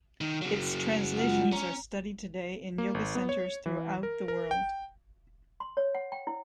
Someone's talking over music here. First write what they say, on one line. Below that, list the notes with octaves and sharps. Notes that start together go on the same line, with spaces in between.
Its translations are studied today in Yoga Centers throughout the world.
D#3
C#3 F#3
G#3 F4 F#5
C#4 A#5
A#3
G#1
B3
C#5
E3
A#4
A#4
G5
C6
C#5
F#5
G5
E4